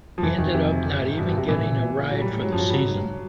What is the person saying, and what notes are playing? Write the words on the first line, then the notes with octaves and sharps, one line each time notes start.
He ended up not even getting a ride for the season.
F3
F2 E3
F2 D#3
F2 C3
A2
G#2
G2 B2
B2
C3
A2 E3
A2
A#2
A#2
A#2
A2 F#3
A#2 G3
A2
G#2 F#3
F#2 F3
F#3
G2
G3
C#3 F#3
G#2
G2